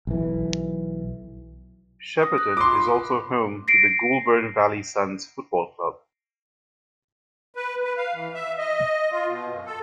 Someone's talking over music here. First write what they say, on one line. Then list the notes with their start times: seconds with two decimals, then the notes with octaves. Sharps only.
Shepparton is also home to the Goulburn Valley Suns Football Club.
0.07 B1 E3
2.19 D#6 A#6
2.38 F#6
2.57 F4 B5 C6 D6
3.68 A#6 C7 D7
7.55 B4
7.84 B4
7.97 F5
8.14 E3
8.34 E5
8.58 D#5
9.11 F4
9.28 B2
9.51 F#2
9.66 A4